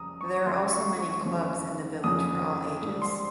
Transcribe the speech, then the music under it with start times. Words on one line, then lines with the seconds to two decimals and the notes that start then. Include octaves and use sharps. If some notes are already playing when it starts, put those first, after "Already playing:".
There are also many clubs in the village for all ages.
Already playing: F2 C#3 G3 A#5 D#6
0.21 C#6
0.46 F2 C#3 G3 C6
0.73 C#6
0.99 C#6
1.25 F2 C#3 F3
2.04 F2 C#3 F3 D#6
2.82 G#2 G3
3.02 C6